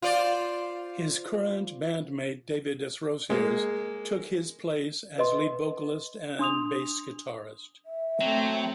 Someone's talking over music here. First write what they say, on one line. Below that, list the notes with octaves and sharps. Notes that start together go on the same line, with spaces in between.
His current bandmate David Desrosiers took his place as lead vocalist and bass guitarist.
F4 C5 D5
G#3 A#3
B4 D#5 C6
D4 C6 D#6 F7
E5
F#3 A3 C4